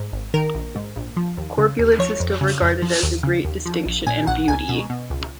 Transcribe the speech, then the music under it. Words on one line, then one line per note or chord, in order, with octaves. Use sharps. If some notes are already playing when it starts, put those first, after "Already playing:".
Corpulence is still regarded as a great distinction and beauty.
Already playing: G#2
G#1
D#3 A#4
A#1
G#2
A#1
F3
D#2
C#3
D#2
F3 C#5
F2
C#3
F2
F3
D#2
C#3
D#2
F3
A#1
A#2 G#5
A#1 F#5
C#2 G#5
B2
B2
C#2